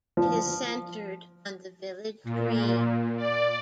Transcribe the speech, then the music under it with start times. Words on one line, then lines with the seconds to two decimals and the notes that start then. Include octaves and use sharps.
It is centered on the village green.
0.17 F3
2.24 A#2
3.17 D5